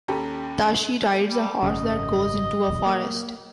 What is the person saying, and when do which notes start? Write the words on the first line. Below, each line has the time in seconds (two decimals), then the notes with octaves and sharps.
Tashi rides a horse that goes into a forest.
0.08 D#2 C#4 G4 A4 A#5 B5
1.29 G3
1.63 G#1 F#2 C#3 D#5
2.68 D#1 B1 E2
2.86 A#3